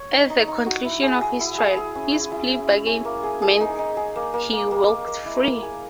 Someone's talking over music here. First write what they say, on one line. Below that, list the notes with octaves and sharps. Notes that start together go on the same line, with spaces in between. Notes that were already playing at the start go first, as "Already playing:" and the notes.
At the conclusion of his trial, his plea bargain meant he walked free.
Already playing: C#5
D#4
D#4
D#4
F#4
E4
G#4
G#4
E4
G#4
G#4
C#4
E4
E4
C#4
C#4
C#4
A#3
G#4
G#4
D#4
D#4
G#4
A#3
A#3
A#3
A#3
A#3
A#3
E4
A#3
G#4